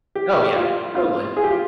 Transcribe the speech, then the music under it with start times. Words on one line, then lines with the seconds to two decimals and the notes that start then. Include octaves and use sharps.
Oh, yeah. Totally.
0.15 G4
0.36 G4
0.56 F4
0.96 F4
1.37 G#4
1.44 G4
1.50 F4